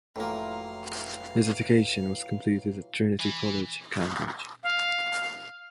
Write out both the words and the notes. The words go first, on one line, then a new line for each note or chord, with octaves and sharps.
His education was completed at Trinity College, Cambridge.
F1 A2 E3 F#3 A#3 F4 F5
E3
F5